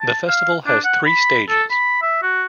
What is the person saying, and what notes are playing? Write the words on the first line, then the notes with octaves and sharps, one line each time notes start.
The festival has three stages.
A5
F5
D4
F#5
B5
A4
B5
E5
F#4